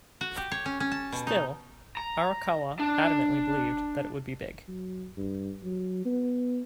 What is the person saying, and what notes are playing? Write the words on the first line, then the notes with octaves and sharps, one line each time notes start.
Still, Arakawa adamantly believed that it would be big.
F#4
G4
C#5
C#4
C#4
A5
B2
D#4
A#5
D4
F#3
G2
F#3
B3